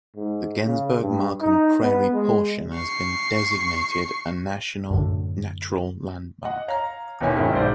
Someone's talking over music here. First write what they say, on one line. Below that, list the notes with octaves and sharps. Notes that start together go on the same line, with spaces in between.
The Gensburg-Markham Prairie portion has been designated a National Natural Landmark.
G#2
C#3
G2
D#4
B3
G#3
C#6 C7
F#2 A2 D3
D#5 F#5
C#5 F5 A#5
D#1 B2 D#3 E4 C#5 G#5
G#2 D#3 G#3 C#4 E4 F4
B1 G#2 C5 D5